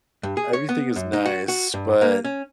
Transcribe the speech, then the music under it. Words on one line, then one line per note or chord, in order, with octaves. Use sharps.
everything is nice, but,
G2
G#4
C#5
B3
F#2
D#4
F#4
F#4
G2
A#3
C#4